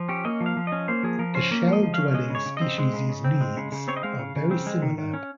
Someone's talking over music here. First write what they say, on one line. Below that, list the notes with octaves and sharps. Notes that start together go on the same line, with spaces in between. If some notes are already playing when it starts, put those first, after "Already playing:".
The shell-dwelling species' needs are very similar.
Already playing: F3
C#4 G4
A#3 D#5
F3
F5
F3
C#4 D#5
A#3 C5
F3 G#4
F3 A#4
C#4 C5
A#3
F3
D#5
F3
C#4 F5
G#3 D#5
C#3 C#5
C#3
C4 D#5
G#3
C#3
C#3
C4
G#3
C#3
C#3
C4 C#5
D#5
G#3 F5
C#3
C#3
C4
G#3
D#3
D#3
C#4